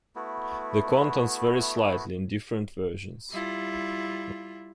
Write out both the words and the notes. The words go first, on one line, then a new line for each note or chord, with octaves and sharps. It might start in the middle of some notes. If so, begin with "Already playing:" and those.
The contents vary slightly in different versions.
A3 B3 E4 F#4
G3 E4 F4